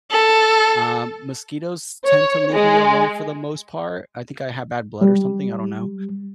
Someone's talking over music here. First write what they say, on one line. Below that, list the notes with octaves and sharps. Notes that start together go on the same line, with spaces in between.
Um, mosquitoes tend to leave me alone for the most part, I think I have bad blood or something, I don't know,
A4
C#5
G#3
G3